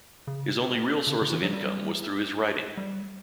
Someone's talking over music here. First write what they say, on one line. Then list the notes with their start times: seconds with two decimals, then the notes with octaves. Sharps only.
His only real source of income was through his writing.
0.27 C#3
1.07 C#3
1.11 D3
1.22 D3
1.32 E3
1.42 F#3
1.53 G3
2.77 G3